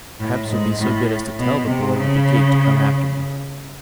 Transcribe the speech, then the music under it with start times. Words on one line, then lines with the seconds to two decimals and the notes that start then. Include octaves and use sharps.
Perhaps you'll be so good as to tell the boy with the gig to come after me?
0.20 A2
0.48 G#2
0.79 A2
1.38 B2
1.67 C3
1.97 C#3